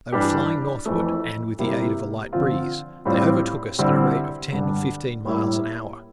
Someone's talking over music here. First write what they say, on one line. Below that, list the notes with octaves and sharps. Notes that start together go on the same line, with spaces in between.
They were flying northward; and with the aid of a light breeze, they overtook us at a rate of ten or fifteen miles an hour.
G2 E3 G3 D4 G4
F2 E3 A3
C3 G3 A#3 E4 G4
D3 F3 C4 F4
A2 G3 C4 F4
D3 G3 C4 E4
G2 D3 G3 D4
A2 G3 A#3 E4